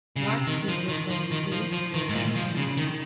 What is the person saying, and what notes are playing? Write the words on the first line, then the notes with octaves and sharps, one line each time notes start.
What this refers to is unknown.
C#3
C3
D#3
F3
D#3
F3
D#3
F3
F3
D#3
G#2
A#2
F3
C#3
D#3